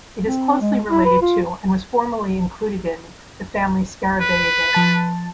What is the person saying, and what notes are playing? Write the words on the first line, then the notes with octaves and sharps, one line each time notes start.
It is closely related to, and was formerly included in, the family Scarabaeidae.
C4
G#3
E4
B4
F4
B4
F3 A5 A6